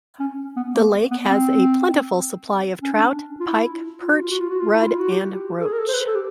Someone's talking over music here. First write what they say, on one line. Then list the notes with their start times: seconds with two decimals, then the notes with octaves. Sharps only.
The lake has a plentiful supply of trout, pike, perch, rudd and roach.
0.20 C#4
0.56 B3
0.74 A#3
1.11 B3
1.29 C4
2.83 C#4
2.93 D4
3.40 F4
3.47 E4
4.02 F4
4.12 F#4
4.21 F4
4.31 F#4
4.40 F4
4.50 F#4
4.59 F4
4.74 E4
4.86 F4
4.99 F#4
5.12 G4
5.61 A4
5.66 G#4
5.73 A#4
5.79 A4
5.88 C5
5.93 B4
6.07 A4
6.15 G4